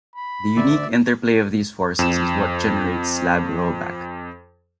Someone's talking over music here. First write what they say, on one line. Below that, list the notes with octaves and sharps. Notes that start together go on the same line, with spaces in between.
The unique interplay of these forces is what generates slab rollback.
B5
D2 D5 E5
F2 E7